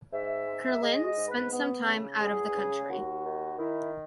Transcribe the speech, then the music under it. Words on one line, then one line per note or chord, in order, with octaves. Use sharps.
Kerlin spent some time out of the country.
G#2 E5
G#3
G#3 D#5
D#5
G#2
B4
B3
C#3
E2 G#4
C#3
D#2 F#4
D#3
D#3 E4